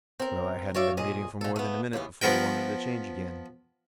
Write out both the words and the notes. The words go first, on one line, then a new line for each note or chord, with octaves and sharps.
Well, I hadn't been leading for more than a minute before he wanted to change again.
C4 A#4
F#4 C#5 D5 E5 F5
F2 A#2 G#4 D#5
A#2 A4
A3 B3
D#2 C#3 E3 B3
F3 B3 A#4 G5